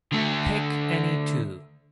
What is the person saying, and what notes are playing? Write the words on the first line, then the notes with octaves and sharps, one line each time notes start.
Pick any two.
D3 A3